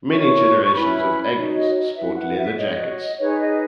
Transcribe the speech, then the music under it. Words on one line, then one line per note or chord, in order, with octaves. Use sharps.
Many generations of Aggies sport leather jackets.
E4 A#4 C#5 C#6
C#6
C#4 E4 B4 B5
D#4 F#4 C#5
D#5
C#5
D#5
E4 B4 E5
F#5
E5
F#4 C#5 D#5
D#4 G#4 B4 C#5
D#5